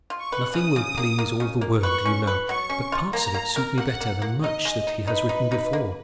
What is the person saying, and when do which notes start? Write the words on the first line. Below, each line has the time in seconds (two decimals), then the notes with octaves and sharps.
Nothing will please all the world, you know; but parts of it suit me better than much that he has written before.
0.10 F4
0.21 C#6
0.32 B4
0.54 C#3 D#6
0.76 C#3
0.97 A#3
1.19 A#3
1.40 C#3
1.61 A#3
1.83 B4 C#6
2.05 C#4
2.27 B4
2.49 F#3 C#6
2.70 C#4
2.92 F4
3.13 A#3 A#5
3.34 A#3
3.56 A#4
3.78 A#3 F#5
4.01 A#3
4.22 A#3
4.43 D#4 D#5
4.65 G#3
4.87 D#4
5.07 D#4 B4
5.29 D#4
5.52 D#4
5.73 A#3